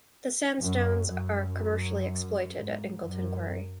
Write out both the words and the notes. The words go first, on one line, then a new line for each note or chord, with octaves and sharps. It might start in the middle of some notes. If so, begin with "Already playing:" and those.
The sandstones are commercially exploited at Ingleton Quarry.
F#2
F#2
G#2
F#2